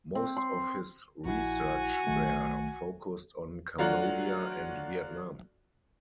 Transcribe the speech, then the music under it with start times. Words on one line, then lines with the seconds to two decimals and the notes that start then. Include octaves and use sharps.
Most of his research there focused on Cambodia and Vietnam.
0.15 C4
0.37 C6
1.26 A#1 E4 F#4 G#5
2.07 B1 D#3 A3
3.78 F#3 A3 D4 F4 F#4